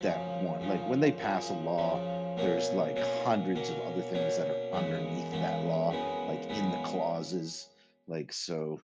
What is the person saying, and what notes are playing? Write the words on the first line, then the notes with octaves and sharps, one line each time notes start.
that one, like when they pass a law, there's like hundreds of other things that are underneath that law, like in the clauses, like, so,
F#2 C#3 F3
F#2 C#3 F3
F#2 C#3 F3
F#2 C#3 F3
B2 F#3 A#3 C#4
B2 F#3 A#3 C#4
B2 F#3 A#3 C#4
B2 F#3 A#3 C#4
F#2 C#3 E3 G#3 B3
F#2 C#3 E3 G#3 B3
F#2 C#3 E3 G#3 B3
F#2 C#3 E3 G#3 B3